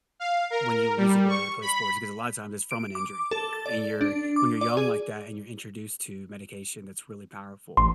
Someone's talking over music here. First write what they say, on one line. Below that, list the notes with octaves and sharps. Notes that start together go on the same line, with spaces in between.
when you lose the ability to play sports. Because a lot times that's from an injury. And you're when you're young like that and you're introduced to medication that's really powerful.
F5
A#4
G3
C#6
B5
D7
D6
A4
A6
D5
D4
D6
D5
G#4
A1 C6